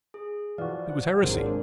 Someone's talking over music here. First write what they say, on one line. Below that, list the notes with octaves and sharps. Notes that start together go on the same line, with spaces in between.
It was heresy.
G#4
E3 F3 E4 F#4 D5 F5
F#5
G#1 A#2 F#3 G#3 C4 D4 G#4 A#4